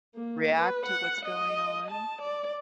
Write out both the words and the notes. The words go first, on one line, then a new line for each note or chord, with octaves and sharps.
react to what's going on?
A#3
B4
F#5
D#5
A5
D5